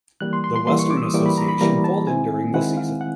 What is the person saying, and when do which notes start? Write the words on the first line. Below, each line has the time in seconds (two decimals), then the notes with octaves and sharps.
The Western Association folded during the season.
0.21 E3 G3 A#3 F#6
0.33 C6
0.44 C6
0.56 C6
0.67 E3 G3 A#3 C6
0.79 C#6
0.91 D6
0.97 E6
1.02 D#6
1.14 E3 G3 A#3 D6
1.26 B5
1.38 A#5
1.49 B5
1.61 E3 G3 A#3 A#5
1.84 A5
2.07 D#3 G#3 C4 E4 G#5
2.54 D#3 G#3 C4 E4 F#5
2.77 F5
3.01 F#5